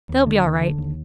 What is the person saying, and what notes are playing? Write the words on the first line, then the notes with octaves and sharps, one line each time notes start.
'They'll be all right.
D#2
D3
D#2
D3
D#2